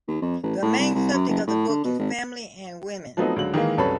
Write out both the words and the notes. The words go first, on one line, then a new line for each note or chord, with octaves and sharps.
The main subject of the book is family and women.
D#2
F2
A1
A2
C2
C2
F#2
F#1
A2
D3
B2
G#1
F3 F#3 A3 B3 C4 D#4
C#2 D3 F#3 F#7
D#3 E3 G#3 A#3
C2 F#2 A4 B4 C#5 B5